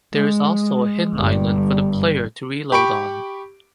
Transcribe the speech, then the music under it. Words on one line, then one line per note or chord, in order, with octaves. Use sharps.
There is also a hidden island for the player to reload on.
G#3
G1 G2
G4 B5 C#6 D7